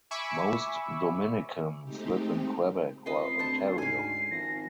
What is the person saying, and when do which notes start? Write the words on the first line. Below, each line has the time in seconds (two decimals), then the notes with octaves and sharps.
Most Dominicans live in Quebec or Ontario.
0.11 E5 G#5 B5 C#6 D6 E6
1.84 G#3 A3 C4 D#4 G4
3.06 C#2 C4 B4 D#5 C7
3.39 D2 C5 A5
3.78 G#2 C#4 G#5 C7
4.31 G#1 F3 A#6